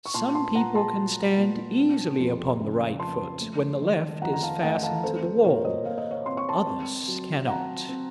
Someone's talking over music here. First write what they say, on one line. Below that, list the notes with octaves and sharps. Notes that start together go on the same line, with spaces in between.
Some people can stand easily upon the right foot when the left is fastened to the wall ... others cannot....
C#6
A#2 A5 C6
A5 C6
A#2 F#5 A#5
A5 C6
F#3
A#2
C4
F2
C#3
F3 A5 C6
A3
D#3
F2 F#5 A#5
A#5
F5 A5
A3 D#5 F#5
F5 A5
C4 A4 C5
A4 C5
A#2 A#4 C#5
C5 D#5
A#2 F5
D#5
C#5 F5
C4 C6
C#6
A5 C6
C4
F#3
C4 F#5 A#5
C4